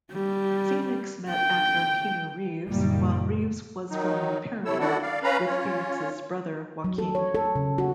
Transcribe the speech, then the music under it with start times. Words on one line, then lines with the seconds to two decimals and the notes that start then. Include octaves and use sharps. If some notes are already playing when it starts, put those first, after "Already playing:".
Phoenix met actor Keanu Reeves while Reeves was filming "Parenthood" with Phoenix's brother, Joaquin.
0.12 G3
1.30 G5
2.69 F#1 F#2 A#2 D#3 G3 A#3
3.90 D#3 F#3 D#4
4.65 C3 E4 A4 C#5 E6
4.79 D4 E4 F#4 A4 D5 F#5
5.02 D5 F5
5.23 C#4 B4 F5 A#5 B5
5.46 C#4 F4 C#5
6.84 F#3
6.98 A4
7.15 C#5
7.35 A4
7.55 C#3
7.78 F#4